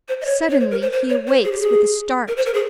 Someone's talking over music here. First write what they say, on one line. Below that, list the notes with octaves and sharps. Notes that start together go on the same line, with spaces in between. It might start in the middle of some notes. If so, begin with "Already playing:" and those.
Suddenly he awakes with a start.
C5
D#5
C#5
C#5
C5
A#4
C5
C5
C#5
C5
G#4
G4
G#4
A#4
C5
A#4
G#4